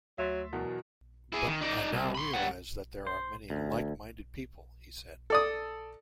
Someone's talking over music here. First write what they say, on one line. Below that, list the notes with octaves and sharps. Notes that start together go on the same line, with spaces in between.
But I now realize that there are many like-minded people, he said.
D2 F#3 E5 C6 A6
E2 B2 F#3 A#4
E4 G#4
D#3
D#4 D5
C2
B5 C6
G3 F#5
C5
D2
A4 D5 D#6